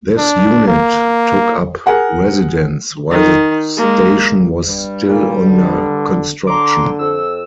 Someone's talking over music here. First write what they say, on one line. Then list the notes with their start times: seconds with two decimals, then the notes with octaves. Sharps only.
This unit took up residence while the station was still under construction.
0.18 D4
0.68 A#3
1.86 G#4 A#4 F#5 G#5
3.11 D#3
3.77 G#3 A#3
4.67 G2 G3
5.07 A#2
5.40 D3
6.48 D3 A#5 C6 D6
7.00 F2 E6